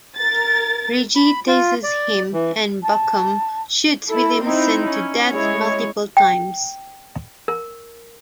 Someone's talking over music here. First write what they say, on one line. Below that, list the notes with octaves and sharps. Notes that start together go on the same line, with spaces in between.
Reggie tases him and Bucum shoots Williamson to death multiple times.
A#4 A6
B5
F4
D5
E3
A5
E4 A4
C4 D#4 E4
C#4
G#3 E4 C#5
G5
A#4